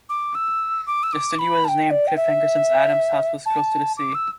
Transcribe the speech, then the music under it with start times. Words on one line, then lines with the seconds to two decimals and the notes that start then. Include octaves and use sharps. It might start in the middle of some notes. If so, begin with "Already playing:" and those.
The studio was named Cliffhanger since Adams' house was close to the sea.
0.09 D6
0.35 E6
0.87 D6
1.03 E6
1.13 D6
1.39 B5
1.65 A5
1.68 G5
1.91 D5
2.08 G5
2.17 E5
3.46 A5
3.97 D6
4.15 E6